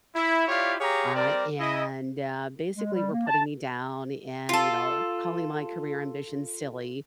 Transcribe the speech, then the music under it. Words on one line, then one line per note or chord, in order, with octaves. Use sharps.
uh, and, uh, basically, were putting me down and, you know, calling my career ambition silly,
E4
E4 F4 G4 C#5 D5 F5
G4 G#4 C#5 F5 A#5
G3 C4 A#4 D5
E4 D#5
G#3
G3
A#3
A5
F4 A4